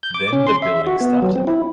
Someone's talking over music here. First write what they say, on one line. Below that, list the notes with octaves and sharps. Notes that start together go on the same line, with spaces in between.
Then the building started.
G6
D6
C#4
C6
E5
F#4
B3
F#3
C4
E4